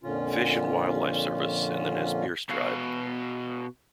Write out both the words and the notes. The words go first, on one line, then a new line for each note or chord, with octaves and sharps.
Fish and Wildlife Service and the Nez Perce Tribe.
F2 A#2 D3 C#4 F4
B2 F#4 F5